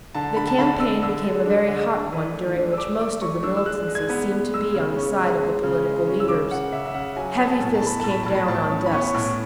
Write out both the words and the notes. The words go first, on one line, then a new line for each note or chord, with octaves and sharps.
The campaign became a very hot one during which most of the militancy seemed to be on the side of the political leaders. Heavy fists came down on desks.
D3 A5
D3 B5
A5
D3 B5
D4 E6
D3 E6
G#3
D4
D3
D4
E3
A3
D4
E6
A3 D6
A3 D6
E3 C#6
D4 E6
E6
G#3 F#6
G#3
G#6
B3
B3
G#3 E6
C#3
C#4
G#3
G#3
C#3
G#3
C#4
E6
C#3 D6
C#3 F#5
C#3 E5
E5
C#3 F#5
F#3 G#5
B3 G#5
A5
A2
A5
B3 B5
A2 A5
B5
A2 A5
B5
A2 A5
C#4
B5
B3 C#6
A2